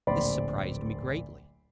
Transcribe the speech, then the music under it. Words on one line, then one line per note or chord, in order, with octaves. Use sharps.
This surprised me greatly.
D1 A#1 C4 D5 B5 C6